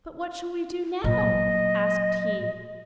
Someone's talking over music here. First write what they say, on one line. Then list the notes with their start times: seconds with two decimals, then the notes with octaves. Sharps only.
'But what shall we do now?' asked he.
1.04 A#2 F#3 D#5